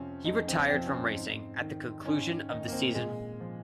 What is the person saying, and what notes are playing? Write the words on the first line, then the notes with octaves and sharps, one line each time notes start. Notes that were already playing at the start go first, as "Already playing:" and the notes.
He retired from racing at the conclusion of the season.
Already playing: F2 C3 F3 C4 C#4
F2 D#4
C4
C3 F3 C4
C#4
C4
G#2
D#3
G#2 C#4
D#3 D#4
A#3
C4
A#2 G#3
F3